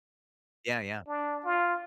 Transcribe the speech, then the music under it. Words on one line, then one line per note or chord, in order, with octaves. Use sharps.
Yeah, yeah.
D4
F4